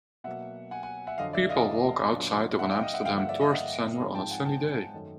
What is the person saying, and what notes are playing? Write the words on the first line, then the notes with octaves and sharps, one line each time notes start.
People walk outside of an Amsterdam tourist center on a sunny day.
B2 F#3 A#3 E5 F#5
F#5 G#5
F#5 G#5
E5 F#5
F2 D3 F#3 D#5 F5
D5 E5
D#5 F5
A#2 F#3 B3 D4
E5 F#5
F5 G5
D#5 F5
E5 F#5
G2 D3 F3 A#3 F5 G5
E5 F#5
D5 E5
D#5 F5
E5 F#5
G#2 F3 G#3 C4 D#4
G5 A5
F#5 G#5
G5 A5
F#2 D#3 F#3 A3